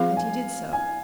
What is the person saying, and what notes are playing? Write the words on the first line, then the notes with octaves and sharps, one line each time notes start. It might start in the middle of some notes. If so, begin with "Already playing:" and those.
And he did so.
Already playing: F3 C4 F4 G#4 F5
G#5
G#5